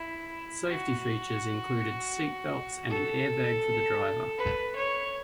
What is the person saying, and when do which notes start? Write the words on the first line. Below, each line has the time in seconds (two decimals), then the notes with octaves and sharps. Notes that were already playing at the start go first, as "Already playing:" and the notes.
Safety features included seat belts and an airbag for the driver.
Already playing: E4
0.68 F#4
2.90 A4
4.38 B4
4.75 C#5